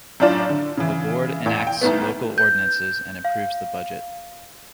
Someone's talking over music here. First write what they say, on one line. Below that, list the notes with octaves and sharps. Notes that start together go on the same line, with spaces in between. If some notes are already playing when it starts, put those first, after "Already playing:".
The board enacts local ordinances and approves the budget.
F#2 A2 D4 F4 D5 E7
D3
C#3 E3
E2 A#2
G5
C2 G#2 A3 B3
G6
F5